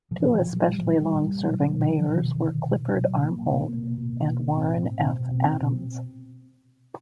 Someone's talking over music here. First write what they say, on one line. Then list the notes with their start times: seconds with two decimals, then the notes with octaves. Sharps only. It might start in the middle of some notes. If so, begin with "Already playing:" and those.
Two especially long-serving mayors were Clifford Armhold and Warren F. Adams.
0.11 A#2 F3
0.20 E3
0.26 A#2 F3
0.41 A#2
0.56 A#2 F#3
0.67 A#2 G3
0.78 F3
0.86 A#2 F#3
1.00 A#2 G3
1.15 A#2
1.30 A#2
1.44 B2 F#3
1.60 B2
1.74 B2
1.89 B2 F3
2.01 B2 F3
2.11 D#3
2.19 B2 D3
2.35 B2 D#3
2.49 B2
2.64 B2
2.79 B2
2.93 B2
3.01 F#3
3.08 B2
3.23 A#2 A#3
3.38 A#2
3.53 A#2
3.61 B3
3.68 B2 A#3
3.82 B2
3.97 B2
4.13 B2
4.27 B2
4.42 B2
4.57 A2 C4
4.71 A2
4.87 A2
5.01 B2 C4
5.17 B2
5.31 B2
5.41 B3
5.46 B2 C4
5.61 B2